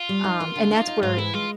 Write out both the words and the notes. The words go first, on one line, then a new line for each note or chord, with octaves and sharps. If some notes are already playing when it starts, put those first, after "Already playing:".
Um, and that's where
Already playing: F4
G3
D#4
A#3
D3
D#4
D#4
G#2 F4
E3 E4
G#3 F4